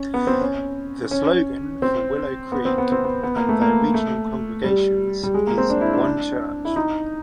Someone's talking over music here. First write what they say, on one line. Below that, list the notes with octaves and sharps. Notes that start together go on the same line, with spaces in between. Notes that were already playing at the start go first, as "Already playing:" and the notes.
The slogan for Willow Creek and their regional congregations is One Church.
Already playing: C#4
B3
C4
C#4
C#4
C4
B3
C4
B3
C4
B3
B3
A#3
A3
A#3
A3
G3
G3
G#3
A#3
C4
D4
E4
D4
E4
D#4